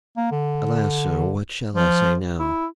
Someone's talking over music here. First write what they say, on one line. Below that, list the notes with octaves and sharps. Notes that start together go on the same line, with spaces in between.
Alas, sir! what shall I say now?
A#3
D3
F3
E4